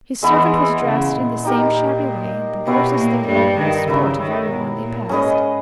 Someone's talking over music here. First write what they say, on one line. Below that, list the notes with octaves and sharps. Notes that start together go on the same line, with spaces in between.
His servant was dressed in the same shabby way, and the horses they rode were the sport of everyone they passed.
E2 E3 G#3 B3 E4
C#3
A#2
D#4 G4 A#4
B2 E4 G4 C#5
A#2 A#3
G2 G3
D#3
C#3 E4 A#4 C#5 E5
D#3
B2
A#2
G#2 C#4 G#4 B4 D#5